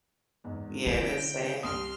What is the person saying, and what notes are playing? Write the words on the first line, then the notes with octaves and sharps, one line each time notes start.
Yeah, that's sad.
E2 G#2
D3 E4 G5
C2 C6 D#6 F6